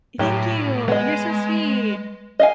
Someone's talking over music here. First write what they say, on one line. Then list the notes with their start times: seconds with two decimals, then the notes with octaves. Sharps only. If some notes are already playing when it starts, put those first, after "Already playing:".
Thank you. You're so sweet.
0.19 A2 F#3 G4
0.88 G#3 B3 D#5
2.39 D#5 F5 G#5